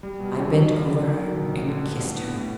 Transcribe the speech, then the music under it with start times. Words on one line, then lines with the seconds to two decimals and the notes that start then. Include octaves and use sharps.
I bent over her and kissed her.
0.03 G3
0.20 B2
0.36 E2
0.52 F#3
0.69 F#3
0.86 D#3
1.02 D#3
1.18 F#3
1.35 A#1
1.51 A1
1.68 D3
1.84 G2
2.00 A2
2.17 B3
2.33 A2